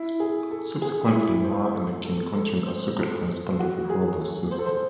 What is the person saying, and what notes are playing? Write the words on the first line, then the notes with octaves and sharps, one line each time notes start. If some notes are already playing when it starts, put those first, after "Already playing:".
Subsequently, Mar and the King continued a secret correspondence with Robert Cecil.
Already playing: E4
G#4
A4
G#4
E4
C5
A4
A4
A4
C5
A4
F#4
G#4
A4
C5
A4
C5